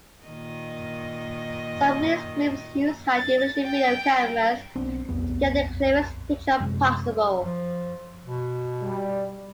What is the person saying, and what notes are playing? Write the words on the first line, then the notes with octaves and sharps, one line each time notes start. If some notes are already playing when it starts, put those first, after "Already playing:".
Some release groups use high-definition video cameras to get the clearest picture possible.
A#2 D#3 D#5
A6
G5
B1 B3 C4 D4
D#1 B1 F2 B3
F#2 C3 G#3
F3
B2
G3